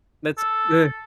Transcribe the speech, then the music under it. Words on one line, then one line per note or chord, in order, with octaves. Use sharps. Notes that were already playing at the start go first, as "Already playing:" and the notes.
That's ugh.
A4